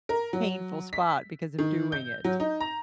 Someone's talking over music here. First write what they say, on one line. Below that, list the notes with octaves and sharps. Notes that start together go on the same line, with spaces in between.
painful spot because of doing it.
A#4
F#3
B6
D#3
G6
F#3
D#4
A#5